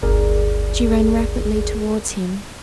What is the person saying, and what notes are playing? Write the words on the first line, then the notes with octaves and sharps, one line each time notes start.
She ran rapidly toward him.
G1 D2 G#4 A#4 D5